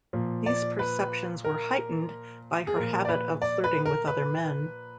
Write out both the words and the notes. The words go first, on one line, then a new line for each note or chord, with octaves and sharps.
These perceptions were heightened by her habit of flirting with other men.
A#2 F3
D5
B4
A#4
G#4
A#2 F3 A#4
D5
B4
D5
B4
A#4
B4